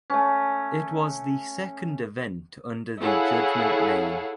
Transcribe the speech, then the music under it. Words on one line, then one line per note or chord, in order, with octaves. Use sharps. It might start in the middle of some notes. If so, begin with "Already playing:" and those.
It was the second event under the Judgement name.
A3 C#4
E4 G#4 A4 C#5 F5 F#5